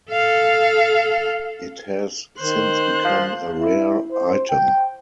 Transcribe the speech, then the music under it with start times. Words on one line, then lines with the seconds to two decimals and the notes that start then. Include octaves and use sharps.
It has since become a rare item.
0.11 A4 F5
2.40 D#3 C5 F#6
3.05 F3
3.61 E4
4.12 C5
4.50 G5